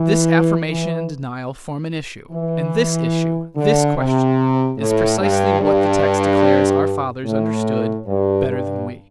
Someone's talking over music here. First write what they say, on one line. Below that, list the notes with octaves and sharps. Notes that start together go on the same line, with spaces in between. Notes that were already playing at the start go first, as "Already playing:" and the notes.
This affirmation and denial form an issue, and this issue--this question is precisely what the text declares our fathers understood "better than we."
Already playing: E3
E3
E3
D3
C3
A2
G2
G2
A2
G2
G2